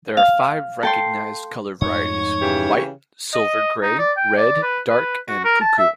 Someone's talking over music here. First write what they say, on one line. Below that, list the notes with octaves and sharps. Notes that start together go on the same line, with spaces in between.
There are five recognised colour varieties: White, Silver-grey, Red, Dark and Cuckoo.
F5
A4 G5 C6
F2 G#2 A3 D#4 C#5 C#6
C#3 E3 G4
D#5
D#4
D5
G5
D5
B4
B4
F#4
A#4
A5
E5